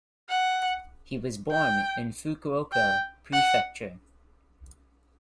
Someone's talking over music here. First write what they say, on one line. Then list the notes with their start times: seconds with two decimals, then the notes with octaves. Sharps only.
He was born in Fukuoka Prefecture.
0.29 F#5
1.51 G5
2.73 G5
3.33 F#5